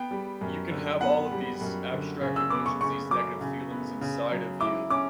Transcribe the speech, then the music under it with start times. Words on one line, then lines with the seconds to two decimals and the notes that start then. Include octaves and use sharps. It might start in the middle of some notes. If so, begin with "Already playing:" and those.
you can have all of these abstract emotions, these negative feelings inside of you,
Already playing: B3 G5
0.11 G3
0.41 F#2
0.71 D3
1.01 B3 F#5
1.31 G3
1.61 F#2
1.91 D3
2.21 C#3
2.36 E6
2.50 B3 D6
2.66 C#6
2.81 C#3 C#6
3.11 F#3 D6
3.41 C#3
3.71 B3
4.01 C#3
4.31 F#3
4.60 E4 D6
4.90 C#4 D6